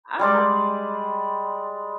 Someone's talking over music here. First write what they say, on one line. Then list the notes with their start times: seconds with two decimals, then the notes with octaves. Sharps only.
I thought
0.19 G3 G#3 D5